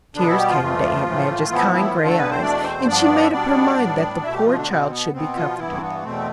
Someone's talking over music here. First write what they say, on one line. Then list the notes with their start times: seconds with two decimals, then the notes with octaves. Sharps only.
Tears came into aunt Madge's kind gray eyes, and she made up her mind that the poor child should be comforted.
0.15 B2 D3 B3 D4
0.27 E3 E4
0.38 G3 G4
0.49 F3 F4
0.60 F2 E3 A3
1.06 A2 E3 A3
1.50 A2 E3 F3 B3 E4
1.73 E3 E4
1.96 G2 D3 F3 A3 F4
2.07 A3 A4
2.18 B3 B4
2.30 C4 C5
2.41 E2 B2 A3 D4 D5
2.63 C4 C5
2.86 G2 F3 B3 D4 D5
3.22 E5
3.31 B2 G3 B3 D4 D5
3.77 A2 G3 B3
4.22 B2 A3 E4 E5
4.34 G3 G4
4.45 F3 F4
4.57 D3 D4
4.68 B2 B3 C4
4.90 B3
5.13 B2 B3 C4
5.35 F3 F4
5.58 G2 E3 B3 E4
5.75 C4
5.82 B3
6.03 E2 B2 A3 C4